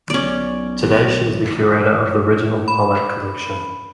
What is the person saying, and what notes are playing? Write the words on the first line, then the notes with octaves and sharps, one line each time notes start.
Today she is the curator of the Reginald Pollack Collection.
B1 C#4 D5
B5